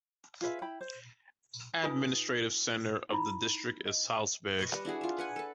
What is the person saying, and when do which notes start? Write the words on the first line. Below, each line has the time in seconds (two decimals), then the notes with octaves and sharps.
Administrative center of the district is Salzburg.
0.41 F4 G#4 B4 E5
0.62 E4 G5 B5
0.81 C5
1.83 D#4 F4 B4 G#5 D#6
3.10 D#4 E4 B5
3.86 D#5
4.59 B4 D#5 C#6
4.72 G3 B4
4.85 D4 E4 F#4 G#4
5.01 F4 E5
5.18 B4 F#5 G#5
5.36 A4 B4